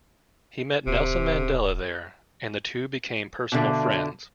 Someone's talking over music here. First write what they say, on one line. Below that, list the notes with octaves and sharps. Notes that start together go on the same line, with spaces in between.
He met Nelson Mandela there, and the two became personal friends.
D1 C3
B2 D3 D4 E5 F5